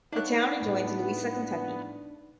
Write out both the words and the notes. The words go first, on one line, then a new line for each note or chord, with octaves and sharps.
The town adjoins Louisa, Kentucky.
B3 D4 D#4 C#5 E5 F5 F#6
A2